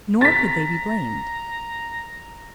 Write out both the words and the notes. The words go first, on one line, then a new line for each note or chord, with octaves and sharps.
Nor could they be blamed.
A#5 A6 B6